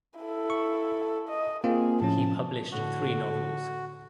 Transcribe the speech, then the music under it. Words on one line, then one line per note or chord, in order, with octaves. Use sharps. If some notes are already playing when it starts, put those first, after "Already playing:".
He published three novels.
E4 A4
C#6
D#5
A#3 C4 F4 G#4
A2 F3 C#4 A5
A2 D3 F#4